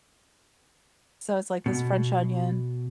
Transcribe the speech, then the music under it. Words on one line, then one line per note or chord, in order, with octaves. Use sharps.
So it's like this French onion
B2